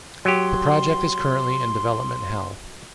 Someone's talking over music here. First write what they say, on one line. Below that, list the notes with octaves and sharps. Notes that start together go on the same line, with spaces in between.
The project is currently in development hell.
F#3 G4 C6